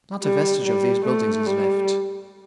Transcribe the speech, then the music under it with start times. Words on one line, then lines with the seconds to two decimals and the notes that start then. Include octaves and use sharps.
Not a vestige of these buildings is left.
0.23 G3
0.64 G3
1.05 A3
1.46 G3